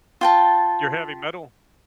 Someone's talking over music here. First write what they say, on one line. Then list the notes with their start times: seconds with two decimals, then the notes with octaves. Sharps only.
Your heavy metal?
0.21 F4 G5 A5